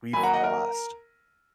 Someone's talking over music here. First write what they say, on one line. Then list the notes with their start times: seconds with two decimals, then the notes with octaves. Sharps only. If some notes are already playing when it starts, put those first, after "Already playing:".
we've lost.
0.13 D#3 F#3 A#3 G#5 B5
0.23 F#5 A#5
0.33 D#5 F#5
0.43 A#4